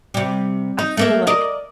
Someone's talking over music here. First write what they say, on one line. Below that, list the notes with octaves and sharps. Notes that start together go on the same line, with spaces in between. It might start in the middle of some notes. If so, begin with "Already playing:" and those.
I feel like
C3 G3
D#4
A3 A#3 E5
A#4 D5 D#5